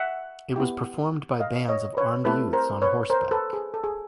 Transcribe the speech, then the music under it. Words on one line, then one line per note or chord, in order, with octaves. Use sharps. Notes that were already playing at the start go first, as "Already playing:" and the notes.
It was performed by bands of armed youths on horseback.
Already playing: E5 F#5
B3 E4 G4
D#5 F5
C#5 D#5
B4 C#5
A3 C4 E4 G4 A4 B4
A#4 C5
B4 C#5
A#4 C5
A4 B4
G#4
A4
G#4